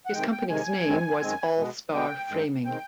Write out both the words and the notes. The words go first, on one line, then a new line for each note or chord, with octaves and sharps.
His company's name was All Star Framing.
F#5
C3 D#3 G#3 G5
G5
C3 D#3 G#3 G#5
F#2 D#3 G#3 C4
F#2 D#3 G#3 C4
B2 G#3 B3
B2 G#3 B3 G5
G2 D#3 G#3 C4
D#3 G#3 C4 G5